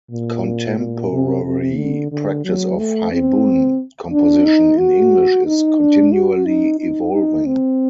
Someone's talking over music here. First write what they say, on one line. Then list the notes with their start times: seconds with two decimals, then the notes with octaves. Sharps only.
Contemporary practice of "haibun" composition in English is continually evolving.
0.11 A#2
0.77 A#2
1.12 C3
1.45 C3
1.78 D3
2.12 D3
2.45 F#3
2.78 A3
3.12 C4
4.12 D4
4.45 D#4
4.79 F#4
5.46 D#4
5.79 D4
6.13 F#4
6.46 D#4
6.80 D#4
7.13 D#4
7.46 C4